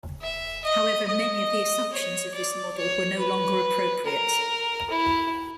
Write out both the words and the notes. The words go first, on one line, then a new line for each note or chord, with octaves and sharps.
However, many of the assumptions of this model were no longer appropriate.
E5
D#5
D#5
C#5
D5
C#5
B4
A#4
E4